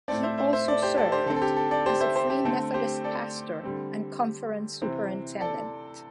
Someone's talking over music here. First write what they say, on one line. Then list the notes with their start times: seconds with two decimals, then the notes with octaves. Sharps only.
He also served as a Free Methodist pastor and conference superintendent.
0.08 A2 A3 C4 A4 D5
0.23 C5 E5
0.38 C5 E5
0.53 C5 E5
0.68 A4 D5
0.82 G4 C5
0.97 A4 D5
1.12 G4 C5
1.26 D3 A4
1.30 C4
1.36 A4
1.42 G4
1.56 A4
1.71 A4 D5
1.86 G4 C5
2.01 C5 E5
2.16 G4 C5
2.30 G4
2.45 D3 A3 C4 A4
2.74 G4 C5
3.04 A4 D5
3.63 D3 G3 C4
4.82 C3 E3 C4
5.40 A4 D5